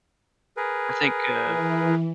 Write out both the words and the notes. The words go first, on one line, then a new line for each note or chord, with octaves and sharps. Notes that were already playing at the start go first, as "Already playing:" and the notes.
I think, uh
G#4 A#4 B4
E3